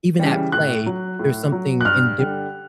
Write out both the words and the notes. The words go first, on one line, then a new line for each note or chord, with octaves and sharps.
even at play, there's something indifference
C#3 E3 G3
A2 F#6
F#3
A2
F#3
F#6
G2 F6
D3 G3